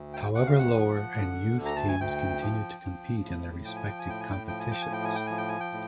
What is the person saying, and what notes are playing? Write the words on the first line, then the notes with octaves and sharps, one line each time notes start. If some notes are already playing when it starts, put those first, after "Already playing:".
However lower and youth teams continued to compete in their respective competitions.
Already playing: D2
G5
D2 F#5
F5
F#5
F3
D3
D2
A#5
A5
G#5
D2 G5
F3
F3
A2
F3 G5
G#5
G5
G#5
A2 G5
G#5
G5
F3 G5
G#5
G5
G#5
A2 G5
G#5
G5
F3 G#5
G5
G#5
G5
A2